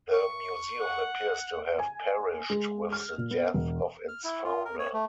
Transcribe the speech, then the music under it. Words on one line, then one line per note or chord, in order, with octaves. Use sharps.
The museum appears to have perished with the death of its founder.
C#6
F#5
G#5
G#3
F6
A#2
B3
E1
F6
E4
F4
A#4
C#5
A3